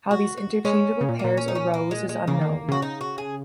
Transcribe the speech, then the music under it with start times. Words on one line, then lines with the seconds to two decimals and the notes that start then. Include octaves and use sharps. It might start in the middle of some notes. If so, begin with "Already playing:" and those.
How these interchangeable pairs arose is unknown.
0.11 F#4
0.38 F#4
0.65 G#3 C#4
1.01 C#3
1.09 A#2
1.19 A#2 A#3
1.37 C#4
1.48 D#4
1.55 C#4
1.74 A#3
1.91 G#3
2.09 G#3
2.27 C#3 A#3
2.41 D#3
2.69 C#3 F#4
2.82 D#4
3.01 F#4
3.18 G#4